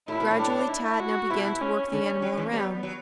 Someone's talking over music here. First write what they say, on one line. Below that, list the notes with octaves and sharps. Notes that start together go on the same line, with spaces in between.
Gradually Tad now began to work the animal around.
A2 E4
B2
A2
D4
E4
F#4
B2 E4
C#4
D3 C#4
F#3
E3
G3 B3
F#3